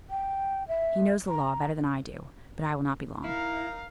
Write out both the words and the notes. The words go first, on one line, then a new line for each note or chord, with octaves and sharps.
"He knows the law better than I do; but I will not be long."
G5
E5
A#5
D#4 E4 A#4 F5 A#5